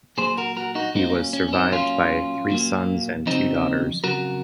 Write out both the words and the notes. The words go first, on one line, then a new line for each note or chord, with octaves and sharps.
He was survived by three sons and two daughters.
A#2 F#3 A#3 G#4 C5
F#4 A#4
F#4 A#4
D#4 F#4
A#2 F#3 A#3 C4 D#4
D#4
C#4
C#4
C#4
C4 D#4
A#2 F#3 A#3 C#4 F4
A#2 F#3 A#3
F2 C#3 F#3 C4 D#4
F2 C#3 F#3 F#4 A#4